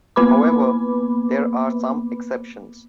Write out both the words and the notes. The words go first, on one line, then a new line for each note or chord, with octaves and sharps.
However, there are some exceptions.
A#3 B3 B4 B5 D6